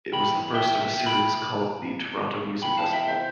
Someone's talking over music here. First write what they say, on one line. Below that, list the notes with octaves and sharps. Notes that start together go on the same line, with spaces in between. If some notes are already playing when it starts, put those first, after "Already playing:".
It was the first of a series called the Toronto Music Festival.
C3 E3 B3 G5 B5
E5 G5
E5 G5
G5 B5
C3 E3 B3 G5 B5
F5 A5
E5 G5
C5 E5